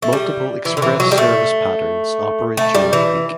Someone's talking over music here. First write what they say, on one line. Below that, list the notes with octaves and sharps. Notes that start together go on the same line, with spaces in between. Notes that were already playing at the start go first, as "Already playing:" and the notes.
Multiple express service patterns operate during peak.
A3
G3
E3
D3
E3
F#3
G3
A3
A3
G3
E3